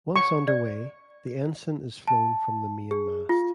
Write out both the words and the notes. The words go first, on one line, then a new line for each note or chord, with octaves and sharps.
Once under way, the ensign is flown from the main mast.
C#6
D5
A5
G#4
F4